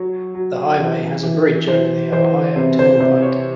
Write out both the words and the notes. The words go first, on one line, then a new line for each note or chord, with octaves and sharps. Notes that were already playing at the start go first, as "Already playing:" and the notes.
The highway has a bridge over the Ohio Turnpike.
Already playing: F#3 C#5
F#3
E3
E3
E3 C5
E3 C5
C3 C5
C5
C3 C5
C#5